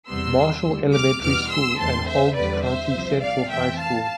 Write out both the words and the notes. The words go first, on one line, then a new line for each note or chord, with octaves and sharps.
Marshall Elementary School and Holmes County Central High School.
E2 C3 G3 B3 C6 E6
D2 D3 G3
D6 F6
E2 B2 G3 B3 D6 F6
C6 E6
E2 D3 A3 C4 A5 C6
C5 E5
E2 D3 G3 C4 B4 D5
C5 E5
C2 C3 F3
D5 F5
F2 E3 A3 C4 E5 G5
F5 A5